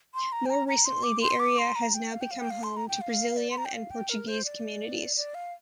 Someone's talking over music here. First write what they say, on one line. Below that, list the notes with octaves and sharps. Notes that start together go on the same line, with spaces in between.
More recently the area has now become home to Brazilian and Portuguese communities.
C6
A#5
G5
A#5
A#5
C6
D6
C6
D6
C6
A#5
G5
F5
G5
F5
G5
F5
C6
A#5
G5
F5
D5
C6
A#5
G5
F5
G5
A#4
C5
D5
D5
F5